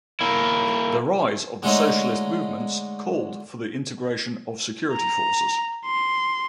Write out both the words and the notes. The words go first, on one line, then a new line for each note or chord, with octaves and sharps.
The rise of the socialist movements called for the integration of security forces.
A#3 E4
D3 G#3 A3 C#4 D#4
A#5
C6